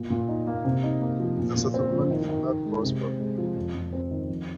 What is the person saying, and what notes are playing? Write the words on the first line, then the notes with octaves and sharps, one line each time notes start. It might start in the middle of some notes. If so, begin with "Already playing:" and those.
The settlement did not prosper.
Already playing: A#2
A#2
D#4
A#3
C3
D#4
A#3
F3
A#2
A#2
C4
F3
D#3
D#3
D#4
G#3
C3
C4
G#3
F3
F2
F2
C4
D#3
F2